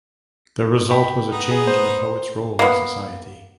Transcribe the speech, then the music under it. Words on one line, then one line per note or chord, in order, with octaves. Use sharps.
The result was a change in the poet's role in society.
G5 B5
B3 D#4
G#4
C5
A#3 B3